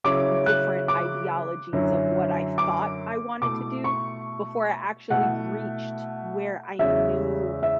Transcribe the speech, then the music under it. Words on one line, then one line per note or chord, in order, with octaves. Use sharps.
different ideologies of what I thought I wanted to do before I actually reached where I knew
C#3 F#3 C#4 E4 D6
F#6
D6
F#2 D3 F#3 C#4 E4
D6
B2 A3 E4 D6
C#6
B2 A3 E4 F#5
E2 C#3 G#3 C#4 E5
E5